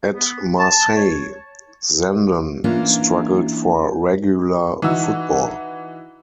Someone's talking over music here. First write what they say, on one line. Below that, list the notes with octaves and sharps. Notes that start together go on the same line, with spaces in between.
At Marseille, Zenden struggled for regular football.
B3
A5
C#5
E3 A#3 C#4 D4 F4
E3 D#4 F#4 E6